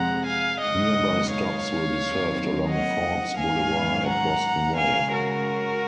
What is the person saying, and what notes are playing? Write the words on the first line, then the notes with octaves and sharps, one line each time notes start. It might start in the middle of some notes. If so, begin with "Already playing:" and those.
Nearby stops will be served along Forbes Boulevard at Boston Way.
Already playing: F2 C3 F3 G#3 F#5 A#5
F5 G#5
D#2 C#3 G#3 D#4 D#5 F#5
C#5 F5
D#2 D#3 F#3 C4 D#4
D#5 F#5
G#2 D#3 F#3 C#4 F5 G#5
F#5 A#5
C#3 G#3 C#4 F5 G#5
F#4 A#4